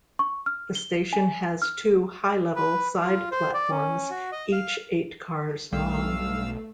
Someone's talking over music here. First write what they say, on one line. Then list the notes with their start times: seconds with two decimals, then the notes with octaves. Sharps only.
The station has two high-level side platforms each eight cars long.
0.19 C#6
0.46 F6
0.75 G7
1.13 G#5
1.62 F6
2.56 B4
3.00 F4
3.32 C5
3.54 D5
3.71 C#4
4.10 F#4
4.32 D#5
4.52 F5
5.73 B1 G2 A3 F5 E6